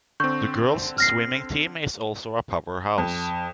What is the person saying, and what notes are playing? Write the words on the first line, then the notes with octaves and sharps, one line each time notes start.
The girls swimming team is also a powerhouse.
D3 C4 C#6 G6
F6 A#6 C7
F2